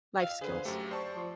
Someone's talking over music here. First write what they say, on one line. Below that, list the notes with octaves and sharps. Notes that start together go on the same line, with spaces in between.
Life skills.
F5
D3 G#4 B4 C5
F#2 A3 G4
C5 D5 A5 C#6
F3